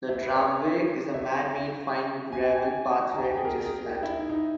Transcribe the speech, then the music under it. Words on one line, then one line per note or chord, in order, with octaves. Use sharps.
The Dramway is a man-made fine gravel pathway which is flat.
E5
B4
C#5
E5
G#5
G5
G#5
A#5
G#5
G5
G#4
A#4
G#4
A#4
G#4
G4
E4
D#4
D#4